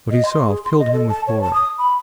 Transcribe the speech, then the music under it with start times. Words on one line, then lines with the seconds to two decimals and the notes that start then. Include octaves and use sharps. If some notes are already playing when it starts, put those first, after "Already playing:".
What he saw filled him with horror.
0.11 D#5
0.26 C6
0.48 G#4
0.65 C6
0.80 D#5
0.93 A4
1.09 A5
1.27 C#5
1.41 A5
1.54 D#6
1.78 B5